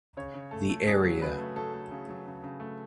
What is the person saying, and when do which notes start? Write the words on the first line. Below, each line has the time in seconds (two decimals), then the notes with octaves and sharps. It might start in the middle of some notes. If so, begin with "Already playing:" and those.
The area.
0.17 C#3 C#5
0.34 C#3
0.51 A3 A4
0.69 A3
0.87 C#3 G#4
1.04 F#3
1.21 C#3 B4
1.38 A3
1.56 F#3 A4
1.74 A3
1.91 C#3
2.08 F#3
2.26 C#3
2.44 C#3
2.60 A3